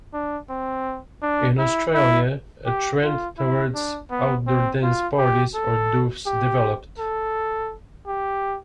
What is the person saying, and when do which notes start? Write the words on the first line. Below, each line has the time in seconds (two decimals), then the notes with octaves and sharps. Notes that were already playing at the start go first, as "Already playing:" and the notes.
In Australia, a trend towards outdoor dance parties or doofs developed.
0.13 D4
0.49 C4
1.22 D4
1.58 E4
1.94 E4
2.66 G4
3.03 F4
3.38 E4
3.75 D4
4.10 B3
4.47 C4
4.82 F4
5.18 G4
5.54 A4
6.26 G4
6.99 A4
8.07 G4